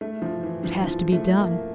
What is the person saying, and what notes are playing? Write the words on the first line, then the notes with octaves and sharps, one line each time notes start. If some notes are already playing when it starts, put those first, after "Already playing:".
It has to be done.
A3
F3
E3
F3
F3
A3
A#3